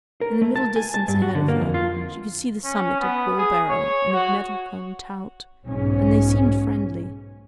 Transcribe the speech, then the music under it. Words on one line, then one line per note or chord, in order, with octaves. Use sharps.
In the middle distance ahead of her she could see the summits of Bulbarrow and of Nettlecombe Tout, and they seemed friendly.
A#4
A3
A5
G#5
A5
G2
F#4
D3
A#3
F2
F4
C#4
B3
G#4
C#5
F#4
B1 G#2 C#4